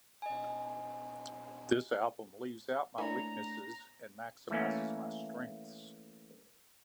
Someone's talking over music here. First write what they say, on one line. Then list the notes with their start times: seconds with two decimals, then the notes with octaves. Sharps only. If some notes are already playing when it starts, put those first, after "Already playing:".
This album leaves out my weaknesses and maximizes my strengths.
0.22 D#5 G#5
2.98 A3 A#3 D4 E4 C#5 G#5 A#5
4.50 E3 A3 A#3 C#4